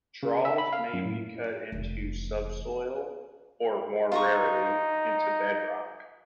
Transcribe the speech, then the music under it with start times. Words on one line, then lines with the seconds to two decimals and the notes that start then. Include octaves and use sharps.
Troughs may be cut into subsoil or, more rarely, into bedrock.
0.23 C#3
0.45 E5
0.58 B5
0.73 F5
0.93 F#2
1.05 A2
1.72 F1 E3
4.12 D#4 F4 A#5 C#6